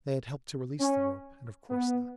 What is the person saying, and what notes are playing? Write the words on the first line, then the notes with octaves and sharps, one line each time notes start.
They had helped to release the rope, and of course not.
C#4
B3